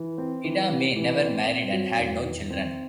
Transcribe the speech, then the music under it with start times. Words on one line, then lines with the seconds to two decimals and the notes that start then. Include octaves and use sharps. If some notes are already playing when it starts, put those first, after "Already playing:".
Ida May never married and had no children.
Already playing: E3
0.18 C4
0.44 E3
0.69 C3
0.96 E3
1.21 C4
1.46 C4
1.73 F#3
1.99 E2
2.24 D#3
2.50 C4